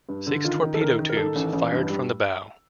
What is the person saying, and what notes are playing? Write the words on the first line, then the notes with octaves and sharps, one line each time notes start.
Six torpedo tubes fired from the bow.
G2
D3
D#3 F4
D#3
A4
D#3 A#4
D#3
A#4
D#3 A4
A1
A1
G2
G3